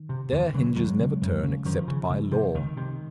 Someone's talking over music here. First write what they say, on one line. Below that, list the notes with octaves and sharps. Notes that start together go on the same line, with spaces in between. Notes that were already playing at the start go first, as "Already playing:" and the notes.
Their hinges never turn except by law.
Already playing: D#3
C3
D#2 D3 E3
C#3 E3 F#3
D#2 F#3 G#3
C#3
F#2
C#3
F#2 D#3 F3
C#3
C#2
C3
C#2 D#3
C3